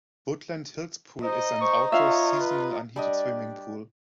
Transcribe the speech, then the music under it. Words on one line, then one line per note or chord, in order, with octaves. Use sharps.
Woodland Hills Pool is an outdoor seasonal unheated swimming pool.
D#4 C5 D#5
C5 C#6
F4 C#5 E5 F5
B4
G3 D4 D#5